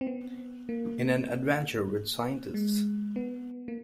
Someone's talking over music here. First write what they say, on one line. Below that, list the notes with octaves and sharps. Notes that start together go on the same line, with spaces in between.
In an Adventure with Scientists!
C4
B3
A#3
G#3
B3
A#3